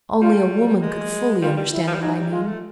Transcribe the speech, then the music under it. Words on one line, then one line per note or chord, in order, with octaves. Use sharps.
Only a woman could fully understand what I mean.
G3 F4
G#3
G3 F4
G3
E4
F3
G3
F#3 D#4
G3
G#3 F4
A3